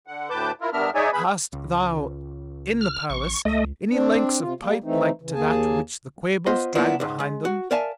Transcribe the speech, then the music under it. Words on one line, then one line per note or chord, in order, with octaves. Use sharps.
"Hast thou, in the palace, any lengths of pipe like to that which the Quabos drag behind them?"
D3 F#5
D2 A2 B4 A5 D6 G6
E4 F4 A#4
G2 B3 D4 A#4 E5 F6
D#4 G#4 C#5 D5 E5 G#5
E2 G#4 B4 B5
C#2
F6
A1 C#6
C#2 A3 D#5
C4 D4
C3 F4
G3 A#3
E3 A3 C4 D#4
C#3 E3
D#2 A#3 G#4 G#5 A5
B3 F4 C5 D#5
F#3 A#3 B3 D4 E4 F4
C#2 G#2
G#3
F#4
A#4 D5 E5 F5 G#5 A5